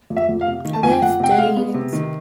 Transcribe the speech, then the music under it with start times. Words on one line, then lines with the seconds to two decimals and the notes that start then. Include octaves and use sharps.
Let's dance.
0.10 F2
0.17 E5
0.29 F2
0.41 F5
0.47 C3
0.65 D#3
0.73 A5
0.83 F2 G#5
0.93 G5
1.02 F2 F#5
1.20 C3 G5
1.31 F#5
1.38 G#3 F5
1.56 B3
1.74 C3
1.93 D#3